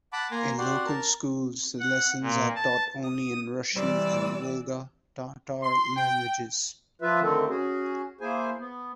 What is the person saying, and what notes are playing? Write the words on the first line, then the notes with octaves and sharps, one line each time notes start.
In local schools the lessons are taught only in Russian and Volga Tatar languages.
F#5 A5 B5 D6
A#3 G#5 A#5 C6
F#4 G4 D5 F#5 C6
A#4 A5
F#5
A#2
A5
D#6
C3 E3 G3 D5 E6
C6
G5
F3 F4 B4 E5
D3 D#3 A3 C4
C#4 F#4 G#4
A#3 E4 G#4 C5 G#5
B3